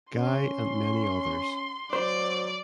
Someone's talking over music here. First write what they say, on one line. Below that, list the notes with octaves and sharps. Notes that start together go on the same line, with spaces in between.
Guy and many others.
C#4 C6
F#3 C5 D5